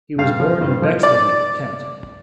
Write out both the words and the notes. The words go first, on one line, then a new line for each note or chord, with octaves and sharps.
He was born in Bexleyheath, Kent.
G2 F5
F3
G2
F3
D5